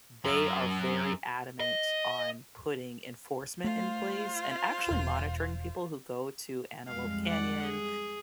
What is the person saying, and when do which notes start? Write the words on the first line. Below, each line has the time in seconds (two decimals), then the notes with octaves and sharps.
They are very adamant on putting enforcement in place and actually monitoring people who go to Antelope Canyon,
0.24 F#2
1.60 D#5
3.64 A3 F4 C5 F5
4.91 E1
6.88 F2 G3 G#3 F5
7.27 D5 F#5
7.63 G#4